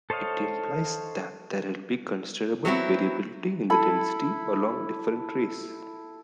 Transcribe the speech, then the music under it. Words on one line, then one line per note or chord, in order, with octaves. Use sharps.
It implies that there will be considerable variability in the density along different rays.
A4 C5 C#5 D#5 F5
F#3 B3 C4 E4
E4 A4 B5